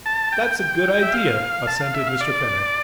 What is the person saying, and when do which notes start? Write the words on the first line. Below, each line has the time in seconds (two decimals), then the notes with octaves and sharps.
"That's a good idea," assented Mr. Fenwick.
0.06 A5
0.32 G5
0.60 G5
1.02 E5
1.13 F5
1.67 A5
1.81 F5
1.94 E5
2.07 F5
2.21 D5